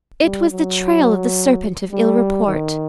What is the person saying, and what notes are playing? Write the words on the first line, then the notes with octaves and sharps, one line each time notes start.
It was the trail of the serpent of ill report.
G3
F#3
G3
D#3